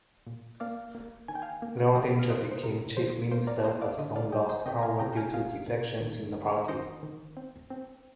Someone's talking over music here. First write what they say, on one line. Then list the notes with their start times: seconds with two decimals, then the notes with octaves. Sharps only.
Laldenga became Chief Minister, but soon lost power due to defections in the party.
0.27 A#2
0.60 A#3 D5 F5
0.95 A#3
1.28 D#3 G#5
1.35 G5
1.42 F5 G#5
1.62 A#3
1.95 F3 D#5 G5
2.19 F5
2.30 C3 C5 D#5
2.51 C5
2.63 C3 A#4
2.97 F3 C5
3.31 A#3 C5
3.47 A#4 D5
3.65 A#3 C5 D#5
3.81 D5 F5
3.98 D3 C5 D#5
4.16 D5 F5
4.32 G3 D#5 G5
4.49 C5 D#5
4.66 C3 D#5 G5
4.79 A#5
4.83 F5 G#5
4.99 C3 G5 A#5
5.13 G5
5.17 F5 G#5
5.33 C3 F5 G#5
5.68 C3
6.01 D#3
6.35 D#3
6.68 D#3 C5 D#5
7.03 D#3
7.37 C4
7.70 C4